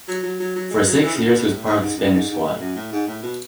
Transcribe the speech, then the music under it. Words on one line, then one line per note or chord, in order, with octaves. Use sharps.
For six years he was part of the Spanish squad.
F#3
F#3
F#3
F#3
G#3
F#3
E3
C#3
D3
B2
A2
A2
G#2
F#2
G#2
G#2
A2
F#2
A2
G#2
A2
B2